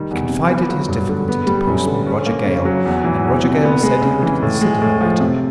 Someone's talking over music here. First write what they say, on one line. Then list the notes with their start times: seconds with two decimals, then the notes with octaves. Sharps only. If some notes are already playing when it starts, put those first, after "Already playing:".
He confided his difficulty to postman Roger Gale, and Roger Gale said he would consider the matter.
Already playing: D#3 G3
0.11 E2
0.29 C3
0.49 B3
0.69 F#3
0.89 G2
1.09 D3
1.28 B3
1.47 G3
1.67 F#2
1.86 D3
2.06 C#4
2.26 A#3
2.46 C#3
2.65 F#3
2.85 E2
3.04 E3
3.24 E2
3.44 C3
3.64 B3
3.83 G#3
4.02 C#3
4.23 E3
4.42 A2
4.61 G#3
4.82 A2
5.01 F3
5.20 C3